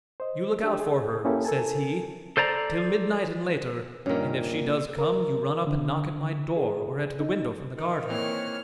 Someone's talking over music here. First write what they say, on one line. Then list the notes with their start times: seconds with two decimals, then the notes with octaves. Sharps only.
You look out for her,' says he, 'till midnight and later; and if she does come, you run up and knock at my door or at the window from the garden.
0.20 C5 D#5
0.63 D4 G4
0.79 G#4
1.25 A#3 C#4 E4 G4 A4
1.45 A4 A#4 G#5 A5
2.37 A4 C5 D5 A#5
4.06 G2 A#2 D#3 A#3 C#4
4.99 A#4
5.67 D3
6.57 G#4
7.20 D#4
7.77 D#3
8.10 E3 A#3 C4 C#5 F6